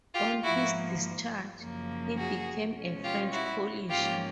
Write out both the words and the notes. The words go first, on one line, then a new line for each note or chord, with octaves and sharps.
On his discharge, he became a French polisher.
F4 G4
G#2 F3 A#3 E4 F#4
F#2 C#3 F3 A#3
F#4 G#4
B2 G#3 C#4
F4 G4
E4 F#4
G#2 F3 A#3 C#4 F4 G4